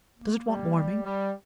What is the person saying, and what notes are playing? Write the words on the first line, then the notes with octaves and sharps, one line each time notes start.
Does it want warming?
A#3
G3
G3
G3